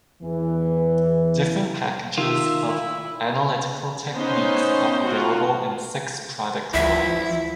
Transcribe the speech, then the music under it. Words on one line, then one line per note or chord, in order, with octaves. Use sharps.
Different packages of analytical techniques are available in six product lines.
E2 E3
D#3 F4 E5
E4
B3 C#4 D#4 C5
F4 F#4
D2 E3 F3 E4 E5